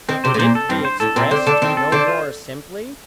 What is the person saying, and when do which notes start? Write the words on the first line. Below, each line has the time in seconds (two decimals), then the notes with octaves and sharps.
Could it be expressed no more simply?
0.09 D#3 C4
0.24 C3 C5
0.34 A2
0.39 A#2 C5
0.55 A4
0.69 G2 C4
0.85 C5
1.00 A2 A4
1.16 A#2 C4
1.31 D3 C5
1.47 D3 A4
1.62 D#3 C4
1.77 A4
1.92 D3 C5
2.08 F4